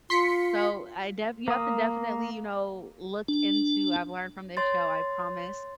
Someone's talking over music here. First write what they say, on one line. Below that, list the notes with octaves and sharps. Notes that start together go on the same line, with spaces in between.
So, I def you have to definitely, you know, look into I've learned from this show, I promise
F4 C6 B6 C#7
A#3 D#6
D4
C#5 C6 A6